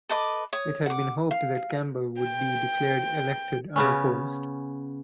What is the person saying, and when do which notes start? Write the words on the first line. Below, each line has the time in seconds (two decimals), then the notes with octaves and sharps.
It had been hoped that Campbell would be declared elected unopposed.
0.09 A4 B4 D#5 D6
0.53 C#5 D#6
0.86 F#5 D6
1.31 F5
2.22 G5
3.76 C#3 B3 C#4